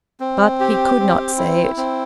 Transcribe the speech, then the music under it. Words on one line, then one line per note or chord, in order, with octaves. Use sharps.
But he could not say it.
C4
G4
C4
E4
C4